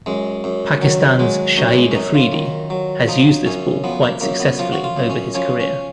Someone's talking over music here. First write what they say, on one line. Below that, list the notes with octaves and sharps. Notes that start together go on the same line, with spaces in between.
Pakistan's Shahid Afridi has used this ball quite successfully over his career.
F#2 G#3
F#2
D#3 F#3
F#3 G#3
F#2 F#3
G#3
C#4
F#2 D#4
F4
D#3
F#3
F3 D#4
F#2 C#4
F3 B3
A#3
F#2 A#3
B3
F3 F4
F#4
F4
F#2
C#4
F3 C#4
C#4